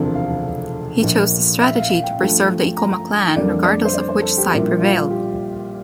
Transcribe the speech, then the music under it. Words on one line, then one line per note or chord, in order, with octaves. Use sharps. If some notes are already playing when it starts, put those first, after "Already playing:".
He chose this strategy to preserve the Ikoma clan regardless of which side prevailed.
Already playing: E1 D2 C3 F3 C4 A5
F5
A#1 A#2 F3
E5
F5
F5
G5
G2 F3 A3
A#5
F2 D3 G3 A#3 D5
D5
C5
D5
C5
A4
G4
A#1 A#2 G3 A#3 E4
F4
G4